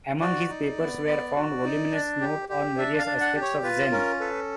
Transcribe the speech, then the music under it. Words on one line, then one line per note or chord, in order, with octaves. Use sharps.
Among his papers were found voluminous notes on various aspects of Zen.
F#4 D5
D#4
B3
B3
F#4
D#4
D4
G4
G4
D4 E5
F5
D4
F#5
G4
C#5
F4 B4
C#4 A#4
A4 B4